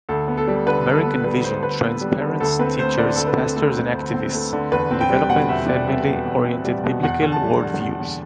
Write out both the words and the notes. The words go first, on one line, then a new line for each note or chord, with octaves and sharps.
American Vision trains parents, teachers, pastors and activists in developing family-oriented biblical worldviews.
D2 A4
B3
A4
G3
D3 B4
D2
A4
B3
G3 B4
D3 C5
D2 B4
B3
G3
D3
D2 A4
C4 B4
A3 C5
D3 D5
D2 A4
B4
C4
A3 A4
D3
D2
C4
A3
D3
E2 B4
C4
G5
G3
B2 F#5
E2 E5
C4 D5
G3 E5
B2
E2
C4
G3
B2
E2 F#5
E2
A5
G3
D3
E2
E2